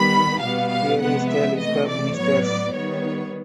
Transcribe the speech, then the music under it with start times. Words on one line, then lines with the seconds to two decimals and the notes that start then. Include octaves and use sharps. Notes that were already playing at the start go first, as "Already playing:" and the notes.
Here is the list of ministers.
Already playing: D#3 G3 B3 B5
0.42 B2 G3 B3 F5
0.71 F5
1.01 C3 F3 G#3 B3 F#5
1.30 E5
1.59 C3 E3 A3 D#5
1.89 D5
2.17 A2 F#3 B3 C#5
2.47 D5
2.75 D#3 G3 B3 C#5